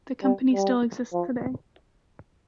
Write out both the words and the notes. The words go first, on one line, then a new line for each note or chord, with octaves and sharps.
The company still exists today.
G3
G3
F3